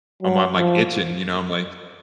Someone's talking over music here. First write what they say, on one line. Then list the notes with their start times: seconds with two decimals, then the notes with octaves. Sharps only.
I'm I'm like itching, you know? I'm like
0.23 F#3
0.57 F3